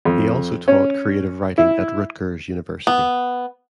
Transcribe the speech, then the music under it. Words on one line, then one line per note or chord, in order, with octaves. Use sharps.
He also taught creative writing at Rutgers University.
F2
C#4
E4
B3